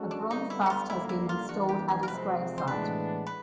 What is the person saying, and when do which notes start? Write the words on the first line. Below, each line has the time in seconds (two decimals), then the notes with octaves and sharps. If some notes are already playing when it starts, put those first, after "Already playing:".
A bronze bust has been installed at his grave site.
Already playing: G#3 C#4 F#4 A4
0.11 D4
0.30 D3 G3 B3 D#4
0.50 E4
0.66 F#4
0.70 F4
0.89 D3 G3 A#3 E4
1.09 E4
1.29 F4
1.48 E3 G3 A#3 D4 F#4
1.69 G4
1.89 G#4
2.03 A#4
2.08 C3 F3 G#3 C4 B4
2.58 C5
2.68 A2 E3 G#3 B3 D4 B4
3.27 B4